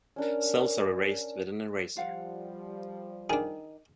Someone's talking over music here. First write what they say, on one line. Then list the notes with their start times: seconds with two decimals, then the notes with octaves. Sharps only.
Cells are erased with an eraser.
0.16 C#4 D4 A#4
1.97 F3 G3 F4 F5 F#5
3.30 D#3 D4 G#4